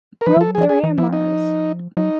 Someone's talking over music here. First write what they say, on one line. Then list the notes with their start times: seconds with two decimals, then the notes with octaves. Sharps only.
Rop the rameras!
0.21 A#4
0.26 F3 B4
0.37 F3 A4
0.48 F#3
0.55 F3 G#4
0.69 G#4
0.84 E3
0.98 F3 E4
1.13 D#4
1.97 F#3 D#4